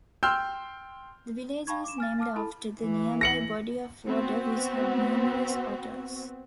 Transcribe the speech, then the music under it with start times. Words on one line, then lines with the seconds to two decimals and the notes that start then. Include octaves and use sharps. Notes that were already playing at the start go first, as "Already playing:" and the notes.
The village is named after the nearby body of water which had numerous otters.
0.23 G5 C6 E6 F6 G6
1.67 F5 G5 A5 B5 C#6 G#6
1.84 D6 E7
1.98 G#5 F6 A6
2.19 F5 A5 D6 F6
2.36 E4 A4 A5 B5
2.80 E3
3.21 A#6 C#7 F#7
4.07 B3 C4 F#4